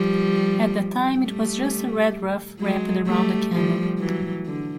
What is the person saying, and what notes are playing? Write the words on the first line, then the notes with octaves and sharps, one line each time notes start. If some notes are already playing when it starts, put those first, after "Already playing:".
At that time it was just a red ruff wrapped around a candle.
Already playing: F3 G3
G3 A3
F#3 G#3
G3 A3
F3 G3
E3 F#3
D3